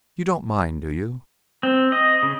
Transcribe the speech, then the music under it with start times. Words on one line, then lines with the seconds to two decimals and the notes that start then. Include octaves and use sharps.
You don't mind, do you?
1.63 C4
1.92 D#5
2.23 C#3